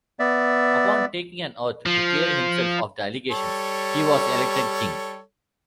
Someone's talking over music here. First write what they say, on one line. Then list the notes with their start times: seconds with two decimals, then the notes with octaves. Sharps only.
Upon taking an oath to clear himself of the allegations, he was elected king.
0.19 B3 D5 E5
1.86 F3
3.31 G3 A4 C#5